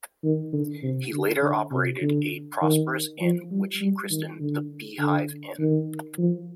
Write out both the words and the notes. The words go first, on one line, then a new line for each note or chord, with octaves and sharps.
He later operated a prosperous inn which he christened the "Beehive Inn".
D#3
D3
C3
D3
D3
C3
D3
D#3
F3
G3
G3
D#3
D3
D3
D#3
F3